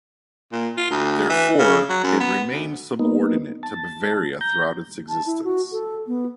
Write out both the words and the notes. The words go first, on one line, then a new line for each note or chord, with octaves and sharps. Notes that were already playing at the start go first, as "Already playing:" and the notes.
Therefore, it remained subordinate to Bavaria throughout its existence.
A#2
F4
D2
E3
C#3
F#3
F#2
B3
D2
A#3 B3 D#4
A5
A#5 G6
A5
E4
F#4
A4
B3